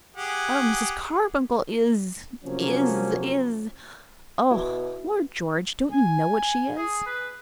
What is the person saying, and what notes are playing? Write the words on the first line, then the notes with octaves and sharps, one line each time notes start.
"Mrs. Carbuncle is--is--is-- Oh, Lord George, don't you know what she is?"
G4 G#4 F#5
C3 F3 F#3 A#3 C#4
B2 E4
G#5
G#4
B4